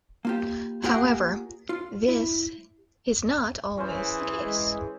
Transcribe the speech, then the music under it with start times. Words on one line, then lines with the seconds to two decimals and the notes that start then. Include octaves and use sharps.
However, this is not always the case.
0.25 A#3 F4 G4
0.83 A#3 F4 G4 G#4 A#4 F#5
1.69 F4
2.08 E4
3.78 E3 C#4 G#4 C5
4.44 G#3